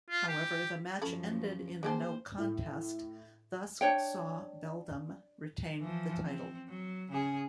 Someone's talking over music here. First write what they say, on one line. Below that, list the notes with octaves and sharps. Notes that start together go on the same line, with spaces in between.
However the match ended in a no contest thus saw Beldam retain the title.
F4
G4
F#2 F3 C#4 A4 B5
G#3 A#3 G4 C5 A5
A2
D4 C#5 G5
E3 F3
C4
F#3
C#3 G#4